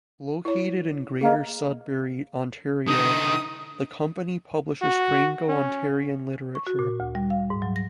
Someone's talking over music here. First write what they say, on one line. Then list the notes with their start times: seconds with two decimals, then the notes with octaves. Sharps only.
Located in Greater Sudbury, Ontario, the company publishes Franco-Ontarian literature.
0.45 E4 C#5
1.21 A#3 G#4 D#5
2.87 D3 D#4 D#6
4.82 F#4
5.49 C#4
6.55 C#6
6.67 F#4
6.79 A#2
7.00 D2
7.15 G3
7.30 F5
7.50 G#2
7.62 F#3
7.76 A#6